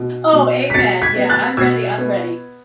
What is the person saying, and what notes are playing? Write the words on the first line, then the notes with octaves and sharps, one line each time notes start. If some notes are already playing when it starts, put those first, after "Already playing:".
Oh, amen. Yeah. I'm ready. I'm ready.
Already playing: B2
B2
B6
B2 A6 C#7
G#6 B6
B3
F#6 A6
B2 E6 G#6
B3